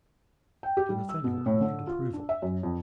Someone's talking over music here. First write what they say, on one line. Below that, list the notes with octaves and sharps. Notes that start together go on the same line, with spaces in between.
Sir Nathaniel nodded approval.
G5
G4
G3
E6
B2
A2
D3
F4
D4
E5
F#2
F2